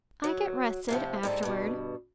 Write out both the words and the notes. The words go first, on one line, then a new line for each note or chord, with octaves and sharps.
"I get rested--afterward."
F#3
A2 C3 F3
G#2 G3 A4
G2 B2